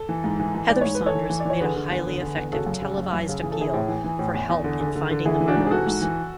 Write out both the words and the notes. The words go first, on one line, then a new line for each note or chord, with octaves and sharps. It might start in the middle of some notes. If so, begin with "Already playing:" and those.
Heather Saunders made a highly effective televised appeal for help in finding the murderers.
Already playing: A4
E3
G#2
E3
E3
G#2 D5
G#2 C#5
B4
E3
A4 C#5
E3
E3
D5
E3 C#5
D3 G#4 B4
D3
E2
D3
D3
E2
C#3 F#4 A4
F#2
C#3
F#2
F#2
C#3
E3 G#4
A4
E3 E4 G#4
A2
E3
E3
A2
E2
E2
D3
D3
D3
D3
E3 E4 G#4
E3
D4 F#4
G#2
G#4
E3 F#4 A4
G#2
E3